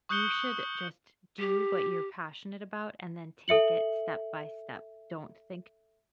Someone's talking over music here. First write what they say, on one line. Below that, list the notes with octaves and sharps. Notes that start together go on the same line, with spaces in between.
You should just do what you're passionate about, and then take it step by step. Don't think
C#6 D#6 F#6 G6 C#7 G7
G4
A4 E5 C#7 F#7